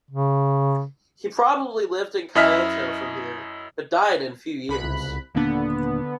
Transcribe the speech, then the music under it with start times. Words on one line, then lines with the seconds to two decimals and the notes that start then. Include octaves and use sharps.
He probably lived in Kyoto from here but died in few years.
0.11 C#3
2.35 F#2 E4 D#5 E5 F6 B6
4.68 C2 B5 F#6
4.84 C#2
5.35 D#1 D3 A#3 B3 D4